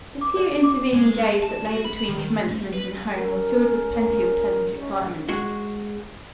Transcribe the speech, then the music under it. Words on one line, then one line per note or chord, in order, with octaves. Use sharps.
The few intervening days that lay between commencement and home were filled with plenty of pleasant excitement.
D6
D5
D6
G#3
A5
F#4
B5
D#3
A3
B4
C#4 A#4
G#2 C#4
G#3 F#4